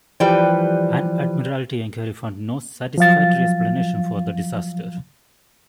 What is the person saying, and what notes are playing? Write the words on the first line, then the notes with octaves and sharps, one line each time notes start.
An Admiralty enquiry found no satisfactory explanation for the disaster.
E3 F3 G3 B4 G5
F3 F#3 F5 A6